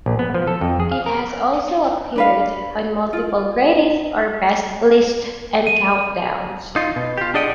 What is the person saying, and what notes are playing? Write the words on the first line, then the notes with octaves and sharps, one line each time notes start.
It has also appeared on multiple "greatest" or "best" lists and countdowns.
A#1
B3
F3
A4
F2
G#4
F5
A#4
D4 B4 F5
F4
D#7
D#4 F4
B2
F4 G4
D4 G#4 D5 D#5 F#5 G5